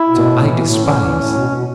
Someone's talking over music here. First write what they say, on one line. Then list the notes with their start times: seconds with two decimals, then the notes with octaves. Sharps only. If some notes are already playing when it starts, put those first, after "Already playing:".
So I despise.
Already playing: E4
0.09 B2
0.26 A2
0.44 E3
0.61 A2
0.80 E3 C#4
0.97 E3
1.14 A2
1.32 B2
1.49 B2